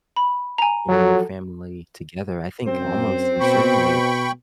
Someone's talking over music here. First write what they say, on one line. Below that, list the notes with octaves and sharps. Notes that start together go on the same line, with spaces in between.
you know, your family together. I think almost in certain ways,
B5
G#5 A#5
F3 F#3 F#4 A4
F#2 C4 C5
B2 G5 B5 C#6